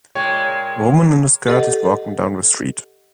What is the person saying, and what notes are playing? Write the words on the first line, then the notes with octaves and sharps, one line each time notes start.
A woman in a skirt is walking down the street.
A#2 G#3 C#5 G5 G#6
G4 A4 D#5 F#5